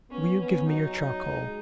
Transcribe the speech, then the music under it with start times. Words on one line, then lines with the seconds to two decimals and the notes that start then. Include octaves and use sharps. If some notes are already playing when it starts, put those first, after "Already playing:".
Will you give me your charcoal?'
0.10 B3 C#4
0.39 B3 C#4
0.67 F#3 D#4
1.25 G#3